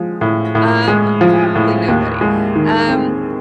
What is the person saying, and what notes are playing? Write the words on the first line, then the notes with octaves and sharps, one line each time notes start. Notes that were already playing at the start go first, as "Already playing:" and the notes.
Um, probably nobody, um,
Already playing: F3 G#3
A2
A2
G#3
F3
A2
D#2
G#3
D#3
C4